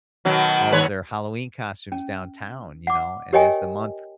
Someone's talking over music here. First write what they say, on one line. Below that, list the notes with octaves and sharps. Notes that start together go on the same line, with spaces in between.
all of their Halloween costumes downtown, you know, and as the month
B2 D#3 F#3
D#2 B4 C#5
C#4
F#5 D6
G4 A#4 C#5 D#5 G5 G#5